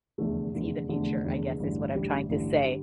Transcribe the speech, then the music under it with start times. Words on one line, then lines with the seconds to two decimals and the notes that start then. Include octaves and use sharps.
see the future, I guess is what I'm trying to say.
0.18 F1 E2 D3 A3
0.54 F1 E2 D3 A3
0.89 F1 E2 D3 A3
1.24 F1 E2 D3 A3
1.59 A1 G2 D3 G3
1.94 A1 G2 D3 G3
2.29 A1 G2 D3 G3
2.65 D3 G3